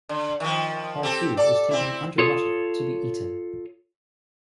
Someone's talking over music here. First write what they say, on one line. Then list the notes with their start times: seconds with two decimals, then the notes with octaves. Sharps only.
All food is taken underwater to be eaten.
0.09 D3
0.40 D#3 F3
1.03 C4 G4 A4
1.37 A4 D5
1.71 C4 E4
2.18 F4 A4 C#5 D#6